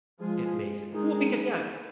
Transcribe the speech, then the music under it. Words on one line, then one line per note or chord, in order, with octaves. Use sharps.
it makes it well, because, yeah it
F3 G#3 F4 G#4
D#3 G#3 D#4 G#4